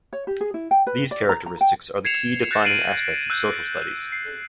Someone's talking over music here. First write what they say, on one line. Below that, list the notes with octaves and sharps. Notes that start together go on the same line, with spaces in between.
These characteristics are the key defining aspects of social studies.
C#5
G4
G#4
E4
G5
B4
D5
A#5
A#5
G5
G#6 C7 C#7 E7 F7
F#6 G6 A6 A#6 F7
F6 C7 D7 D#7 F#7
E6 F#6 G6 D#7
C7